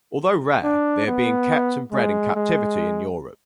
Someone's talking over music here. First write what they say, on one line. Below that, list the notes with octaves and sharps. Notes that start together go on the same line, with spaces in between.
Although rare, they are being kept and bred in captivity in Europe.
D4
B3
G#3
G#3